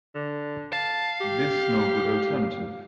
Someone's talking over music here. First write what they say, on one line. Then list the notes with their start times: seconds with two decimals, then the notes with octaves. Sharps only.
This no good alternative.
0.15 D3
0.73 F5 A5
1.21 G4